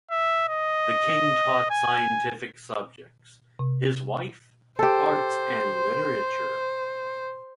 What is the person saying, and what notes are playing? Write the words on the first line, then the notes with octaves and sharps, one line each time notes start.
The King taught scientific subjects; his wife, arts and literature.
E5
D#5
G#5
C3
G4 A4 C5